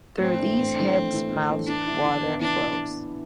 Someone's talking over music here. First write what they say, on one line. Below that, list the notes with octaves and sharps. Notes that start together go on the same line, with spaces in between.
Through these heads’ mouths water flows.
A2 C4
E3 A3 D4
A2
E3 A3 D4
A2
E3 A3 D4
A2
E3 A3 D4
E3 D4
B3 E4
E3
B3 E4
E3 D4
E4